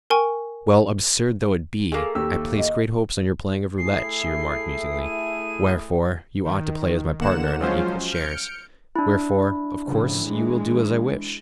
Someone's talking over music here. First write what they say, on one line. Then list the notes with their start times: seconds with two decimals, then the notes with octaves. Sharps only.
"Well, absurd though it be, I place great hopes on your playing of roulette," she remarked musingly; "wherefore, you ought to play as my partner and on equal shares; wherefore, of course, you will do as I wish."
0.10 A#4 G5 G#5 C#6
1.92 A3 A#3 G#4
2.15 D#2 G4 E6
2.58 D#5
3.78 A3 E4 G#4 C7
5.02 D#7
6.45 D#3
7.20 D3 A#3 F#5 E7
7.60 F3 F#3 G#3 C#4 F4 C5
8.12 F6 G6 C#7 D7
8.96 D4 E4
9.88 A2 C#3 F3
10.21 E3 G#3